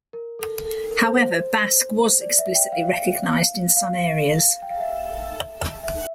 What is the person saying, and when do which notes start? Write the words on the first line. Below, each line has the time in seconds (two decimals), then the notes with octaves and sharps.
However, Basque was explicitly recognized in some areas.
0.13 A#4
0.39 A4
0.65 A4
0.78 A4
0.91 A#4
1.04 C5
1.17 C5
2.21 D5
2.38 E5
2.55 G5
2.72 F5
3.77 F5
4.62 G5
4.70 F5
4.80 E5
5.83 E5